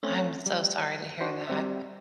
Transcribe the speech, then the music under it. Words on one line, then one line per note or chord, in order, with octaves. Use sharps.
I'm so sorry to hear that.
A3 C4 C#4
G3
D4 F#4 C5
G3 C4 E5